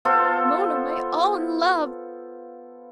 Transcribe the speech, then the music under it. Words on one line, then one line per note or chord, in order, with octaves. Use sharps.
Mona, my own love.
B3 F4 A4 C5